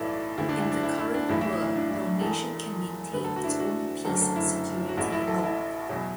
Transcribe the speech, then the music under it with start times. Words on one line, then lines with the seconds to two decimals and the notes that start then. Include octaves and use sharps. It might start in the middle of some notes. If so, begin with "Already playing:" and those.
In the current world, no nation can maintain its own peace and security alone.
Already playing: B1 A2 E3 A3 E4 A4 B4 D5
0.37 D2 D3 A3 E4
0.49 D4
0.60 E4
0.72 D4
0.83 E4
0.98 E4
1.14 D4
1.29 B1 A2 E3 A3 E4
1.41 E4
1.52 E4
1.64 E4
1.76 D4
1.91 E4
2.21 E1 E2 E3 A4
3.13 D2 D3 A3 B4
3.24 A4
3.36 F#4
3.44 E4
3.47 D4
3.60 F#4
4.05 F#1 F#2 D3 F#3 A3 A4
4.21 A4
4.36 E4
4.89 F#4
4.97 A1 A2 A3 E4
5.12 E4
5.28 A4
5.44 E4
5.89 E2 B2 F#3